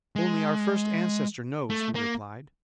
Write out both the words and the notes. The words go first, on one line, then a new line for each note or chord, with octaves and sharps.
"Only our first ancestor knows," he replied.
G#3
A3
A#3